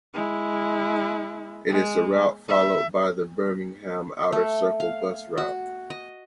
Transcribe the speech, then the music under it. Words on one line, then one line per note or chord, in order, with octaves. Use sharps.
It is the route followed by the Birmingham Outer Circle bus route.
G#3 E4
G#3
E5
A3
F5
F#4
D#5